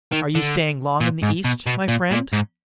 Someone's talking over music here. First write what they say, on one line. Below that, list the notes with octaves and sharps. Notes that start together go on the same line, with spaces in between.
"Are you staying long in the East, my friend?"
D#3
D3
A#2
G#2
B2
B2
A#2
A#2
G#2